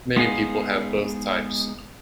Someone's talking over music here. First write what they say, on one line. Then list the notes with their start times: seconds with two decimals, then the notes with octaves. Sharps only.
Many people have both types.
0.16 G#3 B3 D#4 G#4 F5